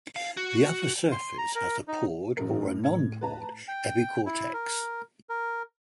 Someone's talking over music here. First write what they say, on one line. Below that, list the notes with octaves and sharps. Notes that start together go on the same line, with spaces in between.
The upper surface has a pored or non-pored epicortex.
F5
F#4
C6
A#5
A#4
D#4
A1 F#2 A2 A#4
G#6
B4 A5 A#5
G5
E4
A#4
A#4